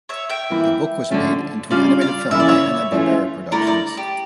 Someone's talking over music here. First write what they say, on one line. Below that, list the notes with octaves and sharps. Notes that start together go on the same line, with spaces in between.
The book was made into an animated film by Hanna-Barbera Productions.
C#5 E5
E5 G5
E3 A#3 E4
D3 F3 A3 C#4
C#3 G3 D4 F4 D5 F5
D5 F5
C#3 E3 A#3 E4 E5
D5
C#5 E5
E3 A3 C#4 F4
D3 A3 E4 A#4 D5
A#4 D5
G4